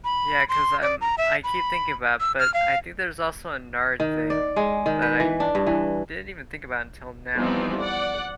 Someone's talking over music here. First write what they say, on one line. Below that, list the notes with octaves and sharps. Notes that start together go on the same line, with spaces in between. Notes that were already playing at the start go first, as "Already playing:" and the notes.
yeah, 'cause I'm I keep thinking about, but I think there's also another thing that I n didn't even think about until now,
B5
C6
D5
A#5
E5
B5
E6
F6
F5
D#3
D5
G#3
D#3
B4
E3
D4
G2
E3
E3 F3 G3 B3 C4 D#4
D5 F#5